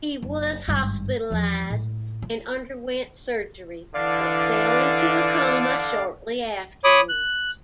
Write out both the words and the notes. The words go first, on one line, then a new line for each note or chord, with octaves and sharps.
He was hospitalised and underwent surgery, but fell into a coma shortly afterwards.
F#1
G#1 G2
E2 F3
A2
F4
D3 E3 D5 F5
C#5 B5 D6 D#6
F#6